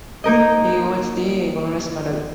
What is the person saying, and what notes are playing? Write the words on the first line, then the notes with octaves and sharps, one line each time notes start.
He holds the Gunnerus Medal.
A#3 D#4 A#4 D#5